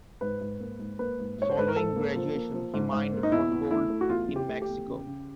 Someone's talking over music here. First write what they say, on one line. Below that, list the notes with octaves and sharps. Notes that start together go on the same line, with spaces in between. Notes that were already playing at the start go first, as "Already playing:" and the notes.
Following graduation he mined for gold in Mexico.
G#2 B4
G#2
A#3
G#2
A#3 B4
G#2
G#2 C#5
C5
G#2 B4
A#4
G#2 A4
A#3
F3
A#3
F3
G#2
G#2
A#3
D#4
E2 E4
E2
A3 E4
A3
F#4
E2 F4
E3
G4
A3
G4
E2
C#3
C#3